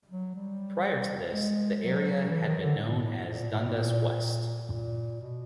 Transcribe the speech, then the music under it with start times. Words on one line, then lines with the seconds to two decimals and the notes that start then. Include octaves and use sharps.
Prior to this, the area had been known as Dundas West.
0.11 F#3
0.35 G3
1.33 G#3
1.82 F#3
2.29 E3
2.46 D#3
2.62 D3
2.78 A2
3.27 A#2
3.51 A2
3.59 A#2
3.67 A2
3.75 A#2
4.72 A#2
5.20 B2